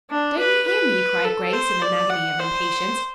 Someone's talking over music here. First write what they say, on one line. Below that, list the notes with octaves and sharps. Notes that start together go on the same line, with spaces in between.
"Don't you hear me?" cried Grace in an agony of impatience.
D4
B4
B4
A4
C5
D5
F#5
C5